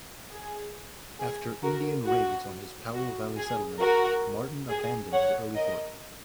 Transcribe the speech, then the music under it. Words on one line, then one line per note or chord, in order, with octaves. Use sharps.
After Indian raids on his Powell Valley settlement, Martin abandoned his early fort.
G#4
G#4
F#4 A#4
F#4
F#4
G#4
F#4 A#4
G#4
C#5 F#5
A#4 D#5